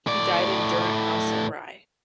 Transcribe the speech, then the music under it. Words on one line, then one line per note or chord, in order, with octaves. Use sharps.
He died in Durrant House in Rye.
A2 D5